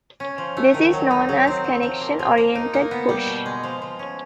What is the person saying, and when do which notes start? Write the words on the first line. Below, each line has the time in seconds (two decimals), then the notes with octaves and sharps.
This is known as "Connection Oriented Push".
0.20 C#4
0.38 F3
0.57 A3
0.74 D#3
0.93 F#3
1.11 D#4
1.29 F#3
1.47 C4
1.64 F#3
1.83 F3
2.01 A#3
2.19 F3
2.38 A#3
2.55 D#4
2.74 A#3
2.91 B3
3.09 G3
3.27 B2
3.46 G#3
3.63 F3
3.82 F3
3.99 C#4